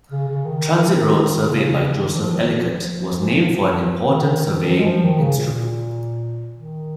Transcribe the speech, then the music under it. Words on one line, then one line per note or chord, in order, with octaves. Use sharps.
Transit Road, surveyed by Joseph Ellicott, was named for an important surveying instrument.
C#3
C#3
D#3
D#3
D#3
C#3
D#3
F3
D#3
F3
D#3
F3
D#3
F3
G#3
F3
D#3
C#3
A#2
D#3